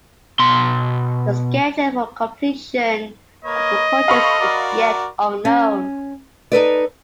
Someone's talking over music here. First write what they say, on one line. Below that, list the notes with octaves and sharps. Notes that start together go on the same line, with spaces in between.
The schedule for completion of the purchase is yet unknown.
B2 C6
A#3 B4 C#5 D#5
A4 C5 F5 B5 C#6
F#4 A#4 D5
C#4
D#4 A4 B4 D5